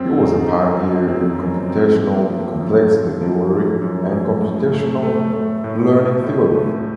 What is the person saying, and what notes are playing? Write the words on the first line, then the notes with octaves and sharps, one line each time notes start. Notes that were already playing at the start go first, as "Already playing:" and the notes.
He was a pioneer in computational complexity theory and computational learning theory.
Already playing: F#2 C4
D#4
D#4
F3
C4
F#2
C4
A#3
F3
F#2
F3
F3
F3
F#2
F#2
A2
A3
A3
A3
A2
A3
A2
A3